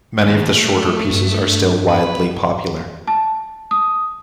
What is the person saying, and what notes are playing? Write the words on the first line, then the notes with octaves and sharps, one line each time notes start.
Many of the shorter pieces are still widely popular.
D#2
A3
G2
B4
A5
D#6